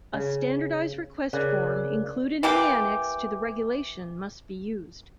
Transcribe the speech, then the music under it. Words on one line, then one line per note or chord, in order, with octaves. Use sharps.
A standardised request form included in the annex to the regulation must be used.
C#3
C#3 A#4 D5 F#6
E3 A#3 G4